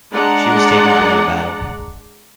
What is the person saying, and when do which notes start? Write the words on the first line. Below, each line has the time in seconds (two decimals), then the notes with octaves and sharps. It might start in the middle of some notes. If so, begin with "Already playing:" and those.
She was taken during the battle.
0.12 G#3 D4 D5 F#5 A#5